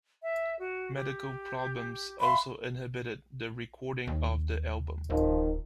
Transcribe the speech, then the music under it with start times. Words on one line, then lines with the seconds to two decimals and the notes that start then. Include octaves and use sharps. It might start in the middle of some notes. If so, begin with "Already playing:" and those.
Medical problems also inhibited the recording of the album.
0.22 E5
0.58 F#4
0.95 G4
2.20 E5 F5 B5 C6
4.07 D#2
5.10 D1 D#3 F3